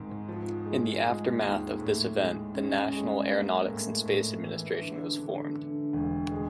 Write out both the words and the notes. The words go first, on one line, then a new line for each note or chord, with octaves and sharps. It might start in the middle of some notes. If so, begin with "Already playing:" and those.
In the aftermath of this event, the National Aeronautics and Space Administration was formed.
Already playing: G#2 D#3 G#3 C4
F3
G#3
G#3
D#2
A2
G#3
C#4
G#3
A#3
A2
A2
E3
D3
D3
D3
E1
G#3